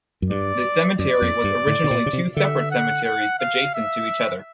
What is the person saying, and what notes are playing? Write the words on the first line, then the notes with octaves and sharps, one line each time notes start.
The cemetery was originally two separate cemeteries, adjacent to each other.
F#2
G2 D5
F#2 D5
F2
G2
A2
B2
A#2
C#3
C3
D3 E5
F#5
F#5
F5
E5